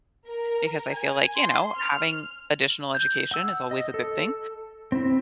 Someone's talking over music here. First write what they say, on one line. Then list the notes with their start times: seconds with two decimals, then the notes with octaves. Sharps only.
because I feel like, you know, having additional education is always a good thing,
0.26 A#4
0.91 G#5
1.36 C6
1.76 F6
2.95 G6
3.31 F#5 E6
3.71 D#5
3.94 A4
4.92 C4 E4